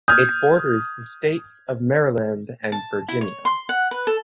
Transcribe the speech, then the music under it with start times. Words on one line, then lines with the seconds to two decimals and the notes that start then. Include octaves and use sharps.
It borders the states of Maryland and Virginia.
0.08 D#6 F6 G6 G#6
2.72 A5
3.08 E4
3.21 C#5
3.45 C6
3.69 F#5
3.91 B4
4.07 A4